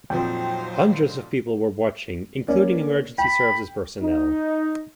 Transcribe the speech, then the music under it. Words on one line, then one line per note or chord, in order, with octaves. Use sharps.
Hundreds of people were watching, including emergency services personnel.
F2 A#2 F3 F#3 D#4 C5 G5
A#3 C#4 D5
G5 B5
D#4